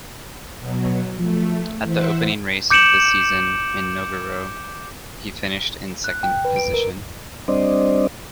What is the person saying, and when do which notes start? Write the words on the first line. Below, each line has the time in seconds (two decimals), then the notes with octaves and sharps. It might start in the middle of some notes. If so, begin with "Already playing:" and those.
At the opening race of the season, in Nogaro, he finished in second position.
0.59 B2 F#3
1.18 F3 A3
1.86 E3 C5 E5 F#5
2.70 D6 G6 C#7 D7 E7 F#7
6.04 F#6
6.23 G5
6.45 B4
6.56 D7
6.74 A#4
7.48 G3 C4 D4 C5 D5 D#5